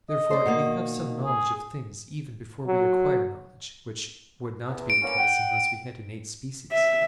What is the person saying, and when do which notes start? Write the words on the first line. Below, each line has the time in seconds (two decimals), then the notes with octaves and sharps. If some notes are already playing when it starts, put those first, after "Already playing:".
Therefore we have some knowledge of things even before we acquire knowledge; which would not be the case unless we had innate species.
0.10 D#5
0.31 C5 D5
0.46 B2 D#3 A#3
1.25 G#4
2.67 F#3
4.68 E2
4.90 D7
5.02 A#3 B3 C#4
5.17 F#5 G5
6.72 E5